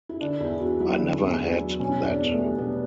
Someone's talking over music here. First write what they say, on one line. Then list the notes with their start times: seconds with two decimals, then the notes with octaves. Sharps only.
I never had that.
0.09 E4
0.21 D3 D4
0.40 E2 E4
0.60 E2 F#4
0.80 F#3 E4
1.00 D3
1.19 E2
1.40 E2
1.60 F#3
1.79 B2 C#4
2.00 E2
2.06 D4
2.19 E2 B3
2.32 A3
2.38 G3
2.58 B2 B3